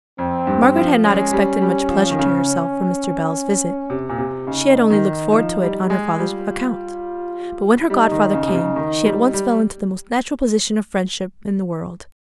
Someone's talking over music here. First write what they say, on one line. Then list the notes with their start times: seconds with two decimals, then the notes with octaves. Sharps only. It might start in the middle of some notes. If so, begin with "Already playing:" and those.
Margaret had not expected much pleasure to herself from Mr. Bell's visit--she had only looked forward to it on her father's account, but when her godfather came, she at once fell into the most natural position of friendship in the world.
0.18 F2 C4
0.47 G2
0.76 F3
1.04 G#3 C#4
1.33 G3
1.62 G3
1.90 F3
2.11 D#3
2.19 C#3
3.90 C3
4.09 A#2
4.18 C3
4.47 C#3 D#4
4.90 D#3
5.32 F3
5.62 G3
5.83 G3
5.90 G#3
6.19 G3 F4
7.90 G3 D#4
8.11 D#3
8.33 C#3
8.48 C3
8.55 C#3
8.76 D#3
9.04 G3
9.33 G3